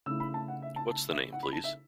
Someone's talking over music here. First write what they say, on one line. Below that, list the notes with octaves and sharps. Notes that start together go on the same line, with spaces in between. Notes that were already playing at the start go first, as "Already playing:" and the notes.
What's the name, please?
C#3 A3 E4 E6
B5
A5
F#5
E5
A5
A5
E5
F#5
B5
A5
E5